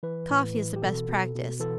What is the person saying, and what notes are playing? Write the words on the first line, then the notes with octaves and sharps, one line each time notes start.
Coffee is the best practice.
E3 B4
A2
E3
G4
B2 A4
B2
B2
E3 A4